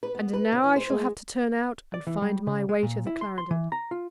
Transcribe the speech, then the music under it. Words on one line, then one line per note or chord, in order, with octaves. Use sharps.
And now I shall have to turn out and find my way to the Clarendon.'
B4
B3
B4
C#3
E3
C5
G#3
D5
E3
G3
C#3
G#3
A#2
E4
C6
C6
E3
A#5
F4